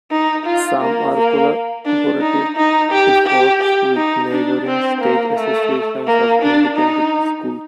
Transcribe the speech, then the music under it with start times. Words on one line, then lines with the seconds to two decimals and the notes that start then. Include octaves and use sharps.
Some are collaborative efforts with neighboring state associations of independent schools.
0.11 D#4
0.46 F4
0.81 A#3
1.15 A#3
1.85 D4
2.21 D#4
2.57 D#4
2.92 G4
3.27 G4
3.62 G4
3.96 D#4
4.32 D4
4.67 C4
5.01 A#3
5.37 A3
6.06 A#3
6.42 D4
6.77 D#4